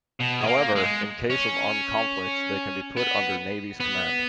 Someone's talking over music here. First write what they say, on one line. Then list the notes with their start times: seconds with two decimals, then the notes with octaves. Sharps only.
However, in case of armed conflict, they can be put under Navy's command.
0.20 B2
0.40 G#3
0.47 A#3
0.75 G#3
1.30 C#4
2.97 B3
3.80 B3